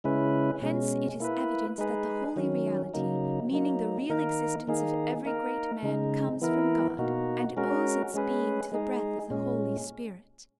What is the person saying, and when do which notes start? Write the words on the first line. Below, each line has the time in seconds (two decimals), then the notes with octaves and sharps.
Hence it is evident that the holy reality, meaning the real existence of every great man, comes from God and owes its being to the breath of the Holy Spirit.
0.04 C#3 G#3 C#4 E4 B4
0.62 B2 G#3 C#4
1.20 A#3 E4 B4
1.78 G#3 D#4 G#4 B4
2.36 D#3 F#3 C#4
2.94 C#3 F#3 A#3 D#4
3.51 F#3 A#3 D#4
4.10 D#3 A#3 D#4 A#4
4.67 D#3 A#3 D#4 G#4
5.25 A#3 D#4 A#4
5.83 C#3 G#3 D#4
6.42 E3 B3 E4 A#4
6.98 B2 A#3 D#4 F#4
7.57 G#3 C#4 F#4 A#4
8.14 G#3 C#4 G#4 B4
8.72 G#3 D#4 G#4
9.30 A#2 G#3 C#4